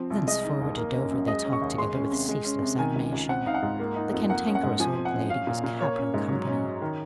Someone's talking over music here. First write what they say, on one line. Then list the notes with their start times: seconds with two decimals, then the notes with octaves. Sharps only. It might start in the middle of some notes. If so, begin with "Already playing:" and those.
Thenceforward to Dover, they talked together with ceaseless animation. The Cantankerous Old Lady was capital company.
Already playing: F3 C4
0.10 C2
0.27 G#3 D#5
0.44 D#4
0.61 D#2
0.77 A#3
0.94 C#4
1.11 F#2
1.28 G#3 D#5
1.44 C#4
1.53 C#6
1.61 D#2
1.78 G#3 C6
1.95 C#4
2.11 C3
2.29 G#3
2.45 C#4
2.62 C3
2.78 D#3 G#5
2.95 C#2
3.12 C#2
3.29 C4 F#5
3.46 D#4 F5
3.54 F#5
3.63 G#2
3.80 A#3
3.96 D#4
4.13 F2
4.29 A#3 F#5
4.47 C#4
4.55 F#5
4.63 G#2
4.80 F3 G#5
4.97 C4
5.05 F#5
5.13 F#2
5.30 C#4 F5
5.47 A#2
5.64 A#2
5.80 A#3 C#5
5.98 C#4
6.14 G#2
6.31 F#3
6.48 C#4
6.64 F#2
6.82 D#3